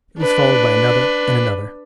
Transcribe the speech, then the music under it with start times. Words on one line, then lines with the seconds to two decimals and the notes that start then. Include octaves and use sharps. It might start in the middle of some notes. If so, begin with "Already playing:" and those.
It was followed by another and another.
0.19 D4 B4